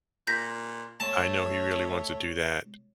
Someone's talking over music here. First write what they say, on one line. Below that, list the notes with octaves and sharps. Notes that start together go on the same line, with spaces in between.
I know he really wants to do that,
A#2 G6 A#6 B6
A3 C#5 A5